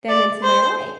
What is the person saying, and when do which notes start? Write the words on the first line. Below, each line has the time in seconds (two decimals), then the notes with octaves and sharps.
them into my life.
0.09 D5
0.44 C5